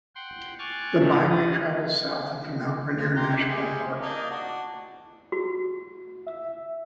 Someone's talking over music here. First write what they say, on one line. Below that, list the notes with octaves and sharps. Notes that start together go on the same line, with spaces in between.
The byway travels south into Mount Rainier National Park.
F#5 G5 C6
G#5 C#6 D6 F6 F#6 A6
G#2 C3 D#3 A3 C#4 D4
G3 D#6 A6
F3
G4 A#5 C6
G4 E5
G3 G#3
A#3 D4 D#4
D4 F#4
F#4
E5